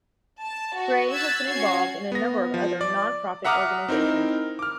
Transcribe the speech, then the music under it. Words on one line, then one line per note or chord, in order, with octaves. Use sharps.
Grey has been involved in a number of other nonprofit organisations.
A5
F#4
E6 F#6 G#6 A6 B6
C#4 F#4 G#6 C7
B3 A#6
F3
D5
E5 F#5 A#5 D6 D#6 F6
C4 D#4 E4 A#4
D6 F6